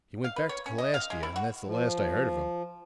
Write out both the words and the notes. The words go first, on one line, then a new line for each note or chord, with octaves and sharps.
"He went back to Calastia, and that's the last I heard of him."
F5
B4
C#5
C#4
D#5
F5
G#3
E4
F#4
F3